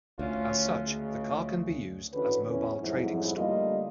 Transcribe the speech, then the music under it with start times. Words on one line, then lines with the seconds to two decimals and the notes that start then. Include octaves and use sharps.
As such the car can be used as mobile trading stall.
0.19 D2 C#4 F4
0.86 C#2 C#3
2.13 D3 E3 C#4 F#4 B4
2.50 E2 E3 C#4
2.80 F2 G#2 F#3 G3 E4
3.36 D3 G3 A3 A#3 F4 D#5